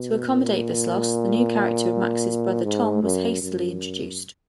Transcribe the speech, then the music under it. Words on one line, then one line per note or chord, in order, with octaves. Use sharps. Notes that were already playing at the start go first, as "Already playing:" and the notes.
To accommodate this loss, the new character of Max's brother Tom was hastily introduced.
Already playing: B2
A#2
G#2
F#2
F#2